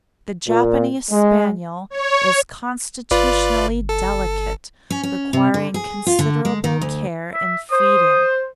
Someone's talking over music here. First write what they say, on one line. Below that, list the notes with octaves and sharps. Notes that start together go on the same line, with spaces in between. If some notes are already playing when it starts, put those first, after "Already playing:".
The Japanese Spaniel is constitutionally delicate, requiring considerable care in feeding.
A#2
G#3
C#5
G1 F4 B4 D5
A4
C#4
C#4
C3
D3
G#4
F4
D3
G#3
D#3
D2
E5
C5 D#6